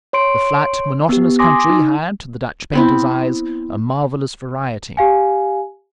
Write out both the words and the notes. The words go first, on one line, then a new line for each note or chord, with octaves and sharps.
The flat, monotonous country had, to the Dutch painter's eyes, a marvelous variety.
C#5 C6 D7
B3 G4
G#5 C6 D6 D#6 A#6
D#4
B3 C4 E4
G4 F5 G#5